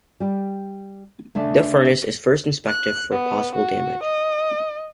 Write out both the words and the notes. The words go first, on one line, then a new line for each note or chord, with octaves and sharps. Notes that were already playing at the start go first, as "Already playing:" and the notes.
The furnace is first inspected for possible damage.
G3 G4
C#3 A3 D4 A5
F#6
B3
F#4
D#5